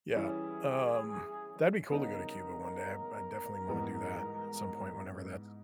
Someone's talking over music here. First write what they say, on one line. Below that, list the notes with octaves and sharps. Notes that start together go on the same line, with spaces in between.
Yeah. Um, that'd be cool to go to Cuba one day, I I definitely wanna do that at some point whenever that's
E3 G3 C#4 E4 G#4
C#3 G3 B3 D#4 A#4
G#2 E3 G3 B3